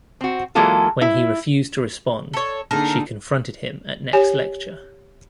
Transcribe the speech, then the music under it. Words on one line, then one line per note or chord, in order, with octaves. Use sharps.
When he refused to respond, she confronted him at next lecture.
C4 F#4
E3 F#3 G#3 A#3 F4 A4
E4 E5
A4 C#5
D3 A#3 D4 D#4 G#4 A#4 A5
G4 C#5 G#5